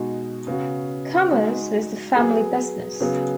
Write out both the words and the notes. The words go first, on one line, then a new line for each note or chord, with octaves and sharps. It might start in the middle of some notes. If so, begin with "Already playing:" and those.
Commerce was the family business.
Already playing: B2 G#3 D#4 F#4
C#3 B3 F#4
G#3 D#4 F#4
F#3 B3 G#4
C#3 F#3 B3 G#4